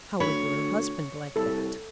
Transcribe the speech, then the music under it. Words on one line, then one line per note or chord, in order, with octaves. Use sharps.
"How would your husband like that?"
D2 C#5 B5
C2 A4